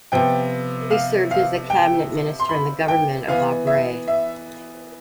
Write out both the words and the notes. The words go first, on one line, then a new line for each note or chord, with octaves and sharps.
He served as a cabinet minister in the government of Bob Rae.
C3 F3 B3 G5
F5
F5
G5
C6
B5
G5
E3 B3 F5
E5
E5